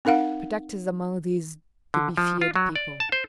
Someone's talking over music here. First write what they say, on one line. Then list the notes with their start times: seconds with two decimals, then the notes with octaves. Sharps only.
Protect us among these to-be-feared people.
0.05 C4 D#4 A#4 F5 F#5
1.94 D3
2.17 F3
2.41 F4
2.56 F#3
2.76 D5
3.00 A5
3.12 C5